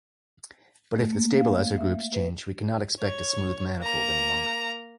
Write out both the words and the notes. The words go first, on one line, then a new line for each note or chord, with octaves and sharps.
But if the stabilizer groups change we cannot expect a smooth manifold any longer.
A3
A#3
F5
E5
B4
C#5
A#3 A#5